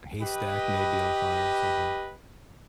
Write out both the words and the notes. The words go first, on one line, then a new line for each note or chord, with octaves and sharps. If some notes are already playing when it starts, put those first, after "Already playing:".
A haystack may be on fire or something.
G4 B4 D#5